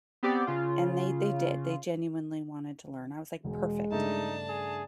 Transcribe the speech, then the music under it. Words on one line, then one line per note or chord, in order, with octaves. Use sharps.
and they they did, they genuinely wanted to learn, I was like, "Perfect,
B3 C4 G4 D5
C#3 F4
E1 G#3
G2 C#3 A3 D4 D#4 A5
G#4